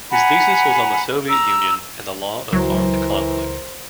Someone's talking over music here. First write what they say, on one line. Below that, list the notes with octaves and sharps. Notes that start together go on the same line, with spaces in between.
His thesis was on the Soviet Union and the law of armed conflict.
F#5 G#5 A#5 B5
A#5 E6
C#2 E3 F#3 A#4 C5